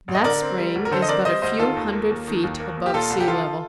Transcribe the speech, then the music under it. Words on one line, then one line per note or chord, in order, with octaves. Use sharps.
That spring is but a few hundred feet above sea level.
A1
D#5
D3 A#4 D5
C4
G3
D2
A#4
D3 A4 C5
D#5
C4 A#4 D5
G3 C5 D#5
D2 C5 D#5
D#3 F4 A4
D#2
A#3
D#2
D#3
D#2
A#3
D#2
G4
A#2 F4 A4
C2
G4
F3 F4 A4